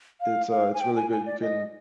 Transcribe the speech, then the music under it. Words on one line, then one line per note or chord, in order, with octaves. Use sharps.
it's, uh it's really good. You can
F5
F5
G#5
G5
G#5
G#5
D5
D#5